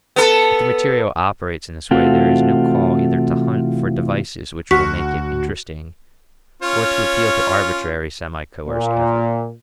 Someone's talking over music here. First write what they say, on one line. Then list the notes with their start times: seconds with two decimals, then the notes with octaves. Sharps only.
If the material operates in this way, there is no call either to hunt for devices which will make it interesting or to appeal to arbitrary, semi-coerced effort.
0.16 B3 A4
1.91 C3 E3 A3 C4 F4 F#4
4.71 D2 F#4 C#6 B6
6.62 C#4 F4 C#5
8.68 A#2